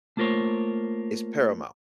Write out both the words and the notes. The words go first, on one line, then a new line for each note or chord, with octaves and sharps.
is paramount.
A3 A#3 F4 A#4 C5 C#5